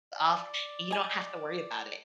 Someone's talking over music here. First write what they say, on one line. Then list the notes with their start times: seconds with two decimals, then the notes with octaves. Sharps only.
off, and you don't have to worry about it.
0.15 D5
0.91 D#5 G#5